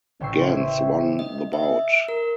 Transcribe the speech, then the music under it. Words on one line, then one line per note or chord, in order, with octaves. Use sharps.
Gans won the bout.
A1 C#3 G5 C#6 E6 C7
C5 C#5 E5 C6
D#5
E5
A#4